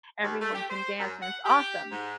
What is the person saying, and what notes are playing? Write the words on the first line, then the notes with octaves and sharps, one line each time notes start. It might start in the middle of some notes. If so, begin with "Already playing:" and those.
everyone can dance, and it's awesome.
D#2
A3
G4
C5
F#2
F#5
G4
G#2